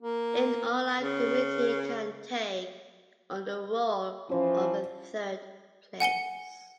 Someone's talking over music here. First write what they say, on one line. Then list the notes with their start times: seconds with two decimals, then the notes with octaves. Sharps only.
An online community can take on the role of a third place.
0.02 A#3
1.00 C#3
4.29 E3 F3 C#4 C5
6.00 F#5 G#5 C#7 G7